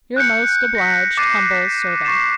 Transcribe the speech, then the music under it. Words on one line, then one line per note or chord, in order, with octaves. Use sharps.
'Your most obliged humble servant.'
F#6 G6 C#7
A#6 B6
D6 F#6 A6 C7 C#7 D#7
B6
C#6 A6 C7 E7